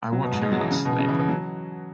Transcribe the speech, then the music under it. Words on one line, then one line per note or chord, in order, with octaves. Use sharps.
I watch him in his sleep.
F#3
B2
G#2
G#3
F#3
E3
C#3
B2
C#3
E3
E3
F#3